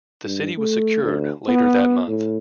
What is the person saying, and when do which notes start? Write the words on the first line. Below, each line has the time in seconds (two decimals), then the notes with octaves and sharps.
The city was secured later that month.
0.24 G2
0.57 A3
1.02 D2
1.48 B3
2.07 A2